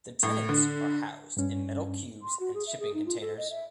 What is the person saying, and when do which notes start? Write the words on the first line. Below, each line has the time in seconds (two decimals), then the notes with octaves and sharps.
The tenants are housed in metal cubes and shipping containers.
0.23 A2
0.49 D3
1.37 G2 C#4
2.22 C6
2.40 F#4
2.54 G#4
2.67 E5
2.80 G#4
2.94 D#4
3.06 F4
3.21 A4
3.37 D#5
3.50 E5